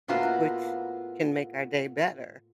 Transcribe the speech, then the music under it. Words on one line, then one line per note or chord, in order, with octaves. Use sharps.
which can make our day better,
A2 A#3 B3 F4 F#4 C5